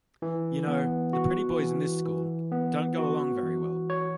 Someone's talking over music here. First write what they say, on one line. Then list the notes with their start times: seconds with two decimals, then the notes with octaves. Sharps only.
You know, the pretty boys in this school, don't go along very well.
0.22 E3
0.67 B3
1.13 F#4
1.59 E3
2.05 E3
2.52 B3
2.98 F#4
3.43 E3
3.90 C#5